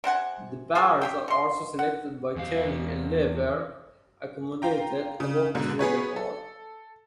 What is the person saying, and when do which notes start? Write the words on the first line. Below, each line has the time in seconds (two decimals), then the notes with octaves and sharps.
The barrels are selected by turning a lever accommodated above the trigger guard.
0.04 C3 C4 F#5 G#5
0.75 F4 G#4 F5 G#5
1.01 G4 G#4 G5
1.28 B2 C6
1.79 F#5
2.36 E2 F5
4.62 F4 G5 A#5
5.20 C#3
5.55 G#2 B2 D3
5.79 B3 G#4 B4 C#5
6.16 A4